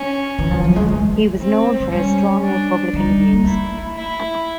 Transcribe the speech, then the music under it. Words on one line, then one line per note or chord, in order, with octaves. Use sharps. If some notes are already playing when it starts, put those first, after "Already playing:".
He was known for his strong republican views.
Already playing: C#4
E3
F3
F#3
G#3
A3
C4
G#3
G3 C#4
D4
G3 D#4
A#3
A3 E4
E4